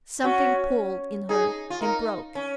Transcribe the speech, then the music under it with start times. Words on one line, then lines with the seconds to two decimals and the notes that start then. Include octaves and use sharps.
Something pulled in her--and broke.
0.24 C#4 F#4
1.29 D#4 G#4
1.70 F4
1.82 D#4 A#4
2.35 C#4